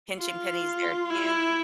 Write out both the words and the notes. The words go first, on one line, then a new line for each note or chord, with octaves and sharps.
pinching pennies there too.
F4
E4